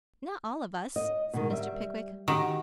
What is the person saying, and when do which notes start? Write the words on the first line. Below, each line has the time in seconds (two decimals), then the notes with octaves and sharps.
'Not all of us,' said Mr. Pickwick.
0.96 D#5
1.34 B2 D#3
1.50 G3 E5
2.28 D#3 F#4 G4